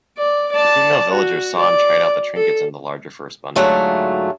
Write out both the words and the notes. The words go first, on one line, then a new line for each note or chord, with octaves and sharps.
The female villagers saw and tried out the trinkets in the larger first bundle.
D5
D5 A5
F#4
D5
A4
G#2 D3 F#3 A3 F4